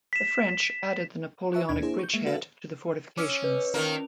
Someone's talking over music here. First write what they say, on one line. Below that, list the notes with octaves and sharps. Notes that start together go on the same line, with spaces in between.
The French added the Napoleonic bridge head to the fortifications.
B6 E7
B4 E5 A5 C#6 F#6
D#2 B2 D4 B5 G#6
A#3 D4 E4 G#4 C5
C#6 G6
G#3 A#3 E5
F#4 A4 B4 E5 F5
C#4 D6 E6
B4
D#3 A#3 C#4 A#4 F7